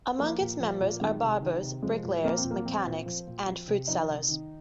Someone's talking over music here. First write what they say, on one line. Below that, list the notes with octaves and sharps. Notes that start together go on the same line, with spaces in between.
Among its members are barbers, bricklayers, mechanics, and fruit sellers.
F3 A#3
A#2
F3
A#2
D#3 G#3
C3
D#3
C3
F3 G#3
A#2
F3 A#3
C4
A#2
A#3
F3 C4
A#2
F3
A#2
F3
C3
F3 D#4
C3
D#3